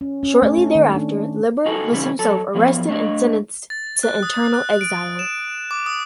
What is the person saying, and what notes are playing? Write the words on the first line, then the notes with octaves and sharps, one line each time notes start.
Shortly thereafter, Liber was himself arrested and sentenced to internal exile.
C#4
C#4
A3
A4
D#3
D4
D#4 F#4 G#4 A4
C#3 E3 G3 C#4 D#4
F#3 A4 A5
F3 F#3 A#3 B3
A3 D4 D#5
A6
F#6
D#6
F#6
D7
E7
D6
D#6